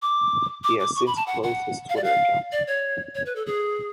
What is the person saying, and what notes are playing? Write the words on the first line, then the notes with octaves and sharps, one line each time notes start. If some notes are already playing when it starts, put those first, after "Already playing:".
He has since closed his Twitter account.
D6
D6
D6
C#6
B5
A5
F#5
F#5
F5
D5
F5
D5
C#5
C#5
B4
A4
G#4